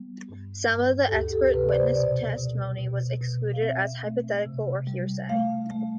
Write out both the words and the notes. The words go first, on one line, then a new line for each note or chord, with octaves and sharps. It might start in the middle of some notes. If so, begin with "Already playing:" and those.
Some of the expert witness testimony was excluded as hypothetical or hearsay.
Already playing: G3 B3
G2
G2
A4
D2 G4
A4
C3 B4
D5
C5
B2 D5
B2
B2
B2
F5
C4 E5
A3
C3
G3
A3 F5
A3